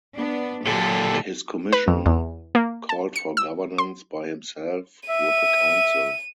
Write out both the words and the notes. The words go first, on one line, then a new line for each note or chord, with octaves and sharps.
His commission called for governance by himself, with a council.
B3 D4
A#2 D3 F#3 G4 A4
B4
F2
E2
A#3
A5
C#7
E6
C6
E5 D#7